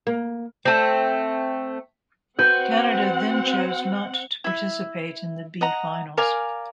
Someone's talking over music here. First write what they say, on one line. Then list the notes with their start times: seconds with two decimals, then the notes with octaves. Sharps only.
Canada then chose not to participate in the B Finals.
0.07 A#3
0.65 A3 C4
2.39 C4 F#4 B4 F#5 G6
4.44 E4 E5
5.61 D#5 F#5 A#5
6.17 A#4 D5 F5 G#5